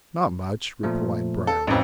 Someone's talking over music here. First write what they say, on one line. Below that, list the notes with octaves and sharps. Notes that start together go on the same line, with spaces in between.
"Not much," replied Briarly.
A#2 F3 A3
A4
A1 F2 D#4 B4